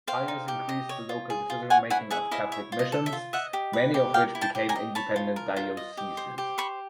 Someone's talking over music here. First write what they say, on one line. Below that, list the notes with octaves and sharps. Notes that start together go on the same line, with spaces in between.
Pius increased the local decision-making of Catholic missions, many of which became independent dioceses.
C5 F5 G5
D#4
G4
D#5
C#5
F4
G#4
F4
C#5 F#5 G#5
E4 F#5 G#5
G#4 E5 F#5
E4 D#5 F5
C#5 E5
F4
D#5
A4
E5
F4
D#5 E5 F#5
G4
B4
G4
A#4 F5 G5
E4
G5 A5
G4
G#5 A#5
D#5
C#5 A5 B5
F4
A#4
F4
D#5
G4
C5
G4
C5 B5 C#6